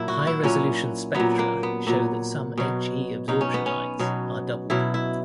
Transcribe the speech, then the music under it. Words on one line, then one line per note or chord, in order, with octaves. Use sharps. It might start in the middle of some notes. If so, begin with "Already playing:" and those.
High resolution spectra show that some He absorption lines are doubled.
Already playing: A#2 F#3 E4
F#4
E4
A#2 F#3 C#4
A#2 F#3 B3
A#3
B3
A#2 F#3
B2 F#3
B2 F#3 D#4
C#4
B3
C#4
B2 F#3
B2 F#3 E4
E4